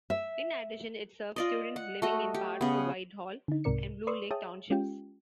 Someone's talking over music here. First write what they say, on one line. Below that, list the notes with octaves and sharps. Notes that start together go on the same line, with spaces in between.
In addition it serves students living in parts of Whitehall and Blue Lake townships.
E5
F4 D5 D#5
F#5
A3 F#4 D#5
G4
C#3 B3
D3 D#4
C2 G#2 C3 A#4 D5 C#7
B4 D5 C6 C#6 D#6 E6
G#4 C#5 E5 G5 A5 D#6
G#3 C#4 F4 G4 G5